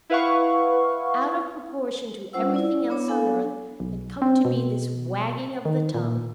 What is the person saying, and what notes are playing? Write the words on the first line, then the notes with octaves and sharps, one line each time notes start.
Out of proportion to everything else on earth had come to be this wagging of the tongue.
E4 B4 F5 F#5 C#6
G3 C#4 F4 C5 F#5 E6
E4 D5
B3 D4 C#5
B3 D4 A4 F5 G#5
B1
C4
B2
D#3
A#2